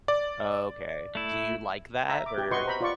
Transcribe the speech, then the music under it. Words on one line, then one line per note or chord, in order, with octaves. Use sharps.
Oh, okay. Do you like that? Or
D5
A3 E4
E5 A#5
D6
G4
F#4 B4 D#5 C6 C#6
C5 A#5 B5
F4 D5 C#6